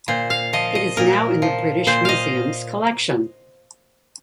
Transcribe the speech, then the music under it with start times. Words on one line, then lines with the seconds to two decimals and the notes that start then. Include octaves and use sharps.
It is now in the British Museum's collection.
0.08 A#2 C5
0.30 F5
0.53 F3 D#5
0.75 D#5
0.97 A#2 A#4
1.42 F3
1.87 A#2 C5
2.05 D#5 F5